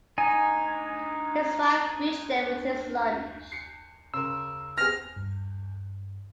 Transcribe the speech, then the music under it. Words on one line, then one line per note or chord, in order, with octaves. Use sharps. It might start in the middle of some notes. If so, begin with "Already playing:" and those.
His wife reached there with his lunch.
D#4 G#5
C7 C#7
C#3 A#4 C6 E6
B3 C4 G#4 F6 A#6
G2